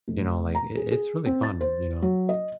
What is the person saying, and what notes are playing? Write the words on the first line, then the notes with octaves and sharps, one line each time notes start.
you know, like, i it's really fun, you know?
F1
A#5
G#4
G#4
C4
A6
C5
F#3
D#5